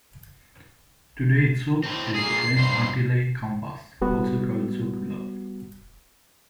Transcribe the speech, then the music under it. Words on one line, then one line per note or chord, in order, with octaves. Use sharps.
Today, zouk is the French Antilles compas, also called zouk-love.
A2 C4
A#2 G#4 C7
G2 C5
G3 B3 F#4